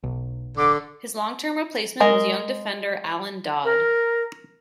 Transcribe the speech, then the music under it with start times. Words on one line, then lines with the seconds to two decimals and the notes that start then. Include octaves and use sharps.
His long-term replacement was young defender Alan Dodd.
0.03 E1 B1
0.57 D1 D3 D6
2.00 G#3 G#4 A#4 D#5
3.65 A#4